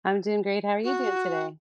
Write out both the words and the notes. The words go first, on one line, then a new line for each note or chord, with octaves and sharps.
I'm doing great. How are you doing today?
F#4